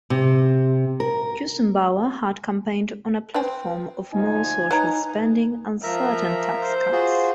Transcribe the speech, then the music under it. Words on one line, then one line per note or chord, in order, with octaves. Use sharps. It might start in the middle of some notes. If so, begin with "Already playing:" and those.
Gusenbauer had campaigned on a platform of more social spending and certain tax cuts.
C3
A#4
C4 B4
D2 F3 D#4 G#5
D#4 B4 C#5 A#5
F3 A#4 E5 A#5
C5
F4 F#4 G#4